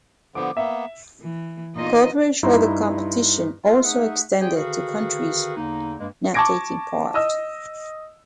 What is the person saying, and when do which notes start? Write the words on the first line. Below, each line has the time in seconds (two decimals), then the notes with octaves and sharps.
Coverage of the competition also extended to countries not taking part.
0.35 D3 F3 B3 D6
0.57 A#3 B3 E5
1.21 E3
1.76 E2 A#2 D#4 F4 D#5
2.43 G2 D#4 E4 A#5 C6
3.64 F4
3.83 A3 D#4 G#4 E5 F#5
4.39 C4 G4 G#4 D5 G5 G#5
4.55 D3 D#3 F#4 G#4 B4 F5
5.56 E2 D3 A#3 D#4
5.99 G2 G#3 A#3
6.34 A5 C#6 D6 G#6 A#6 D7
7.14 D#5 D#6 E6